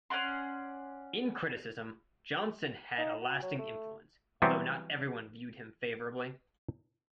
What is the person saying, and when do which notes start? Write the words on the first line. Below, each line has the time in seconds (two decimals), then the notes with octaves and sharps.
In criticism, Johnson had a lasting influence, although not everyone viewed him favourably.
0.10 C#4 D5 F#5 C6
2.98 D#4
3.22 F#4
3.42 F#3
3.58 A3
4.42 E3 F#3 G3 B3 C4